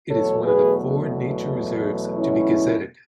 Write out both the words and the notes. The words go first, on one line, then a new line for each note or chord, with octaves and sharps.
It is one of the four nature reserves to be gazetted.
E2 B2 F#3 A3 A4 C#5
G#4 B4
C#4 E4